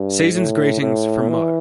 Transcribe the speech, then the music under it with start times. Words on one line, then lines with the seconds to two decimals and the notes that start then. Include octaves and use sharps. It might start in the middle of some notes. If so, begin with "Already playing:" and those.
Season's Greetings from moe.
Already playing: G2
0.33 A2
0.81 A2
1.29 E3